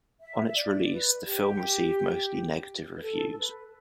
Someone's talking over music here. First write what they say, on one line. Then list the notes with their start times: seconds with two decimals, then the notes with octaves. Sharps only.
On its release, the film received mostly negative reviews.
0.21 E5
0.47 E5
0.56 D5
0.91 B4
1.27 G4
2.97 B4
3.03 A4
3.31 A4
3.38 B4